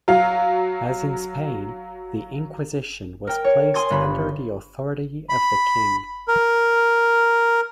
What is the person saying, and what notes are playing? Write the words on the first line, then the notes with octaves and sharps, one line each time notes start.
As in Spain, the Inquisition was placed under the authority of the king.
F#3 F5
A#4 G5
C#5
G#5 C6 D#6 G#6
G1 B5
B5
A#4